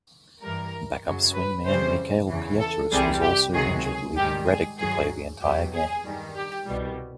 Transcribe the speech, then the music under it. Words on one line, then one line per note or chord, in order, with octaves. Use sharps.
Backup swingman Mickael Pietrus was also injured, leaving Redick to play the entire game.
G2 E3 G3 A#4
F#2 C#3 F#3
B4
F2 C#3 E3 G3 C5
E2 C#3 E3
A4
C2 C3 E3 G3 G#4
G4
C#2 C3 D#3 F#3 G#4
G#4
G#2 D#3 G3 G4
G#4
G2 D#3 F#3 G#4
E2 B2 F#3 G4
G#4
G2 D#3 G3
G4
C2 B2 G3